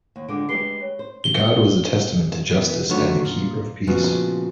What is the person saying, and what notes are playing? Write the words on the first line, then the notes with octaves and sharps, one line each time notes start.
The god was a testament to justice and a keeper of peace.
D#2
D3 G#3 D4 F4 D6 D7
G#3 G4 B4 C7 G7
C#5
C5
G7
E3 B3
D3 D#3 A3 F#4 C#5
A#2
A#2 C#3 F3 G#3 B3 F#4